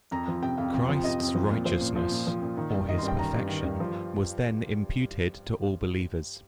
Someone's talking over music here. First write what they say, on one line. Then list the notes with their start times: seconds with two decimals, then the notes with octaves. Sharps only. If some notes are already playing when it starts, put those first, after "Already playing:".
Christ's righteousness, or his perfection, was then imputed to all believers.
0.11 F2 A#5
0.28 F3
0.42 C3 G5
0.57 F2 F5
0.73 F2
0.88 F3
1.04 C3 D#5
1.19 F2
1.35 F3
1.50 A#2
1.65 F3 C5
1.81 A#2
1.96 F3
2.11 A#2
2.27 F3
2.42 A#2
2.57 D#3
2.73 G2
2.88 D#3 D#5
2.98 C6
3.03 G2
3.08 G5
3.19 D#3 A#5
3.34 G2
3.49 D#3
3.65 G2
3.80 F3